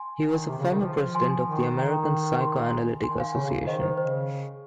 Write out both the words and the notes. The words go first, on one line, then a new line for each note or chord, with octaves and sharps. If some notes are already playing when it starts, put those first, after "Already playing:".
He was a former President of the American Psychoanalytic Association.
Already playing: G#5 C6
D#3
C3
C#3
D#3
F3
G#5 C6
D#3
D#3 G5 A#5
C6
A#5
G#5 C6
D#3 G#5 C6
F5 G#5
C#3 C#5 F5
C3
C#3
D#3 C5 D#5
C5
C#3 C5